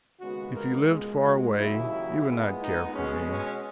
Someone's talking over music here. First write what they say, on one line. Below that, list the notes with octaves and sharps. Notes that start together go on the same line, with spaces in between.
If you lived far away you would not care for me.
D#2 C#3 G#3 B3 F#4
A#4
C#2 B2 G#3
F#4
D#2 C#3 F#3 E4
A#2 G#3 B3
D#4
B2 G#3 B3 C#4
C#4